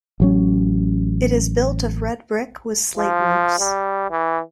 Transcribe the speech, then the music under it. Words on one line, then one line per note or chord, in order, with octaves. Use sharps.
It is built of red brick with slate roofs.
A1 F#3 C#4
F3
G3
E3